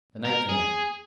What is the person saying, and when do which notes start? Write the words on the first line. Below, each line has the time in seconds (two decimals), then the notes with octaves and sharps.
The night came.
0.25 A#4
0.49 G#4